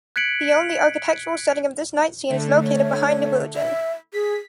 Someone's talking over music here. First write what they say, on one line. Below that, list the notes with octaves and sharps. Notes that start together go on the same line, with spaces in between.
The only architectural setting of this night scene is located behind the Virgin.
F#6 G#6 B6 C#7 D7 F#7
D3 A3
C#5
E5
G#4 B6